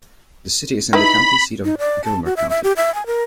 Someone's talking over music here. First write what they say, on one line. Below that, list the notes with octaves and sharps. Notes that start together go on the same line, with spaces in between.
The city is the county seat of Gilmer County.
D#4 E4 B4 B5
D#4
D5
A5
F#4
E5
E5
G4
E5
G#5
A#4